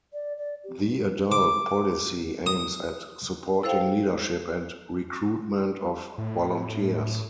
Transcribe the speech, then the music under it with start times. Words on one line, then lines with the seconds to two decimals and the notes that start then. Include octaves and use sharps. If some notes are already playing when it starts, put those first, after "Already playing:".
The adult policy aims at supporting leadership and recruitment of volunteers.
0.13 D5
0.37 D5
0.64 G4
1.32 D6
2.47 D#6
3.63 E4 A4 C5 F5 G5
6.18 A2